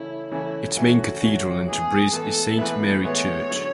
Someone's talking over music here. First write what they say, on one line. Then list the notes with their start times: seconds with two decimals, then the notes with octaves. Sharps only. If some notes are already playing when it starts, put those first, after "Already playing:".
Its main cathedral in Tabriz is Saint Mary Church.
Already playing: C#3 E3 A3 C#4 E4
0.31 C#3 E3 A3 C#4 E4
0.76 C#3 E3 A3 C#4 F#4
1.22 C#3 E3 A3 C#4
1.67 A2 E3 G#3 B3 E4 G#4
2.13 A2 E3 G#3 B3 E4 A4
2.58 A2 E3 G#3 B3 E4 B4
3.04 A2 E3 G#3 B3 E4 C#5
3.50 D3 F#3 C#4